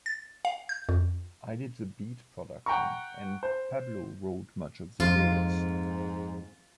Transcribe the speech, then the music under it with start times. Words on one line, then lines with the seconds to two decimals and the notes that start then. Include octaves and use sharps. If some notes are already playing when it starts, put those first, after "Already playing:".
I did the beat production and Pablo wrote much of the lyrics.
0.06 A6
0.45 F5
0.69 G6
0.89 F2
2.66 F#5 G5 A#5 C#6
3.43 C5
5.00 F2 G#2 F4